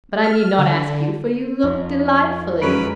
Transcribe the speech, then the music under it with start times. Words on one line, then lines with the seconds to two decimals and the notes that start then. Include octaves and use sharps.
But I need not ask you, for you look delightfully.
0.24 F6
0.58 D3
1.64 F2 D#4
2.62 F#2 G#3 C#4 B4 D7